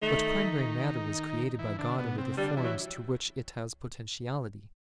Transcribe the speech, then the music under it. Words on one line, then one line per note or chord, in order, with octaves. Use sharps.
But primary matter was created by God under the forms to which it has potentiality.
D#3 A3 D#4
E3 E4
D3 D4
B2 B3
C3 C4
D3 G3 D4
E3 E4
F#3